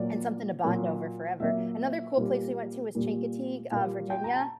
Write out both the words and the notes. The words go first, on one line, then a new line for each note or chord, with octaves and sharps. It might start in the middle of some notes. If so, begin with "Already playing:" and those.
And something to bond over forever. Another cool place we went to was Chincoteague, uh, Virginia,
Already playing: A#2 F#3 A#3 D5
A#2 F#3 A#3
A#2 F#3 A#3 E5
A#2 G3 A#3
A#2 G3 A#3
A#2 G3 A#3 F5
G5
A#5
A5